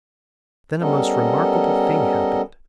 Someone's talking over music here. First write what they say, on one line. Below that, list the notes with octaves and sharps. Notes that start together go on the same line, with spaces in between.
Then a most remarkable thing happened.
G3 B3 C#4 A4 A#4 D#5